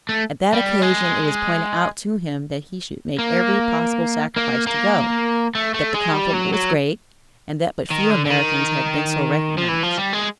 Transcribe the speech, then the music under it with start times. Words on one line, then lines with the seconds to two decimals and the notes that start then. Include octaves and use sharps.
At that occasion it was pointed out to him that he should make every possible sacrifice to go, that the compliment was great, and that but few Americans had been so recognized.
0.09 A3
0.53 G3
0.82 G#3
3.19 A#3
4.36 A#3
4.67 A#3
5.55 A3
5.74 A3
5.94 G#3
6.14 G3
6.34 F#3
6.54 F#3
7.90 D#3
8.10 D3
8.25 D3
8.30 D#3
9.58 F3
9.69 E3
9.83 F3
9.97 G3
10.13 G#3